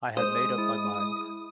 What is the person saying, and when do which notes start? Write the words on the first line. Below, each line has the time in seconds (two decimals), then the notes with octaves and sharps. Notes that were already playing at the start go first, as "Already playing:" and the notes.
I had made up my mind.
0.17 G#3 C5 D#6
0.58 E4